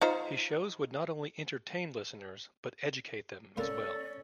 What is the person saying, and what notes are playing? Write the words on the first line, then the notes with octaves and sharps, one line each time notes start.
His shows would not only entertain listeners, but educate them, as well.
D#4 F4 C5
A#3 C#4 A4 A#4 D5